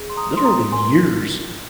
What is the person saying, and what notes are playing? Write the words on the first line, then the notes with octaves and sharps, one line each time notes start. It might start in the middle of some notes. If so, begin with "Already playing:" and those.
literally years.
Already playing: G#4
C6
A#5 D#6
C5
C6
A#5 D#6
A#4 G#5 C6